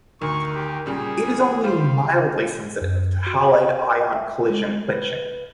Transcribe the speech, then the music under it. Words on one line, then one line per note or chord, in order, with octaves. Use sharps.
It is only mildly sensitive to halide ion collision quenching.
D2 D#3 C#6
G4
A#2 C#3 G3 G#4
E3
G3 C5 F5
F#2
F#4
G5
E5
G#3
B4